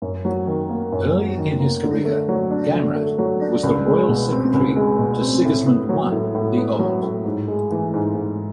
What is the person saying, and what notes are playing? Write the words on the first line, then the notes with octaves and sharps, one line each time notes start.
Early in his career, Gamrat was the royal secretary to Sigismund I the Old.
F#2
F#3
D#3
A#3
F#2
F#3
D#3
A#3
D3
A3
F#3
D4
D3
A3
F#3
D4
C#2
G#3
B2
C4
C#2
G#3
B2
C4
A2
B3
F#3
A2
A2
B3
F#3
A2
G#2
G#3
E3
G#2
G#2